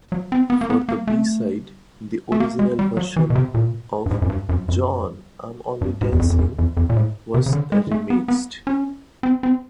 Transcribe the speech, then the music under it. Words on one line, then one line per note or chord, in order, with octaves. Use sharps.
For the B-side, the original version of "John, I'm Only Dancing" was remixed.
F#3
C4
B3
A#3
B3
A#3
A3
A3
A#3
G#3
G3
F#3
E3
B2
C3
A#2
G2
G#2
F#2
G2
F#2
F#2
G2
G#2
E2
F2
F2
F#2
F2
F2
A#2
A2
C3
C#3
D3
G#3
A3
B3
B3
C#4
C4
C4